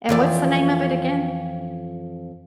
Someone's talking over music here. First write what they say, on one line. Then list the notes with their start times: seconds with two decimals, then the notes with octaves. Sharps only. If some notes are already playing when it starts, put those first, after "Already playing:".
And what's the name of it again?
0.09 F2 E3 D5